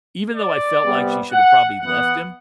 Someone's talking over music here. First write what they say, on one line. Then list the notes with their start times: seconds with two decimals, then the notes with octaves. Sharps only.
even though I felt like she should have probably left him,
0.35 D5
0.84 C3 G3 B3
1.32 F#5
1.80 E3 B3 F#5